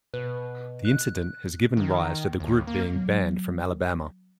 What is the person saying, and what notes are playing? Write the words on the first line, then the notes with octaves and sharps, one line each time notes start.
The incident has given rise to the group being "banned from Alabama".
B2 B4
F#6
D#3
D#2
A#3
F#3 B3